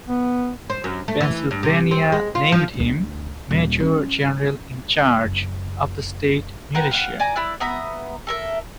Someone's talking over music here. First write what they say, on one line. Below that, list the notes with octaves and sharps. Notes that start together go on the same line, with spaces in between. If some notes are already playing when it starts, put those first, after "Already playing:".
Pennsylvania named him major general in charge of the state militia.
B3
C5
F#2
A3
E3
G2
C3
C4
G#3
F4
F3
D2
D#1
C#4
F#1
A#4 B4 F#5 G5
F5 F#5
D5 G#5 A#5
E4 D5 E6 F#6
B3 E5 A#5 B5
A4 A#4 E5